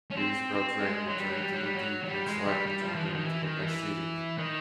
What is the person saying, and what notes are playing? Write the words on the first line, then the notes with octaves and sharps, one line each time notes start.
It is well drained, moderately deep, and slightly to moderately acidic.
C#4
C4
C4
G#3
F#3
G3
F#3
G3
F#3
G3
F#3
F#3
G3
G#3
G3
G3
E3
F3
E3
F3
D#3
E3
D#3
E3
D#3